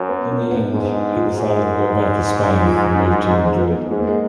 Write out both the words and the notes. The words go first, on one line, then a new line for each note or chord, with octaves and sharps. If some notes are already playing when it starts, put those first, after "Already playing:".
In the end he decided to go back to Spain and moved to Madrid.
Already playing: F#2
B3
D4
B3
G#2 D4
D#4
F4
G#2 F#4
A#4
F#4
G#4
F#4
F4
D4
D#4
B3
G#2 G#3
A#3
G#3